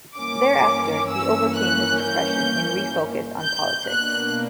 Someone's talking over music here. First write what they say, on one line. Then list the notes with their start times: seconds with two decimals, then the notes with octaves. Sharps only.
Thereafter, he overcame his depression and refocused on politics.
0.17 G2 E3 A#3 C#4 D6
1.10 E6
1.57 F#6
2.03 G6
3.42 G6
3.88 B2 A#3 D4 F#6